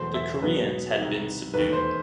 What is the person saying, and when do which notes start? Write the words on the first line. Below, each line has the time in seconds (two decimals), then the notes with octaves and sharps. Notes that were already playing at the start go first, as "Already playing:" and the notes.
The Koreans had been subdued.
Already playing: E1 E2 B2 F#3 A3 C5
0.14 E5
0.42 B1 B2 F#3 B4
0.98 C2 C3 D#3
1.54 E1 D#2 D#3 A3 B4
1.73 C5